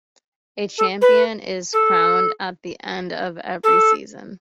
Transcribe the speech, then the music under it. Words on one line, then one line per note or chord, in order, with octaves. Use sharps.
A champion is crowned at the end of every season.
A4
B4
A4
A4